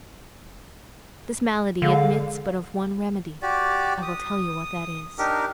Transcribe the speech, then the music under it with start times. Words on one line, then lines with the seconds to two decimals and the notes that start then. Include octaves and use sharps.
This malady admits but of one remedy; I will tell you what that is.
1.82 D3 G#3 F5
3.42 F#4 G4 D5
4.02 D#6
5.18 D4 D#4 G4 A#4